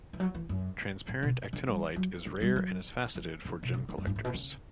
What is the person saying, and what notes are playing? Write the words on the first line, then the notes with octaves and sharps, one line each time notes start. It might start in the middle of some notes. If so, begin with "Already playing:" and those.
Transparent actinolite is rare and is faceted for gem collectors.
E3
F#3
E3
F#2
A2
B2
D3
G3
F#3
D3
G3
F#3
E3
D3
B2
C#3
D3
F#2
G2
A2
B2
C#3